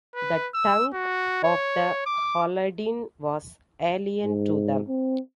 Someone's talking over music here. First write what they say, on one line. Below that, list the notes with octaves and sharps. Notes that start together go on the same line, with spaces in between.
The tongue of the Haladin was alien to them.
B4
E6
F#4
C#5
D6
G#2
C4